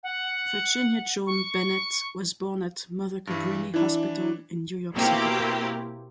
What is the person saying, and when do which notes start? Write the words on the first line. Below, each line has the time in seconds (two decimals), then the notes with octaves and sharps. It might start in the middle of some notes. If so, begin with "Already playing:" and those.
Virginia Joan Bennett was born at Mother Cabrini Hospital in New York City.
0.03 F#5
1.27 C#6
3.27 G2 E3
3.74 E3 D4 E4
4.93 B2 A#3 C4 E4 G4 A#4